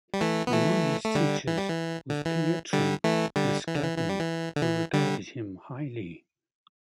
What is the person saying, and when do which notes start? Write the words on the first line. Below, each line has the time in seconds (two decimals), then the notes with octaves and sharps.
Among his teachers was Pietro Mascagni, who regarded him highly.
0.14 G3
0.21 E3 A3
0.47 B3
0.52 E3 A3
1.05 A3
1.15 D3 G3
1.47 E3
1.57 G3
1.69 E3
2.10 D3
2.25 E3
2.73 D3 G3
3.04 E3 A3
3.36 D3 G3
3.68 E3
3.75 D3
3.83 E3
3.98 E3
4.09 G3
4.20 E3
4.56 D3
4.62 E3
4.93 D3 G3